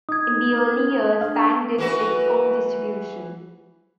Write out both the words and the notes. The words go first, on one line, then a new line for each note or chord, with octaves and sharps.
In the early years, Bang did its own distribution.
D#4 D#6 G#6
D4 F5
E3 F#4 B4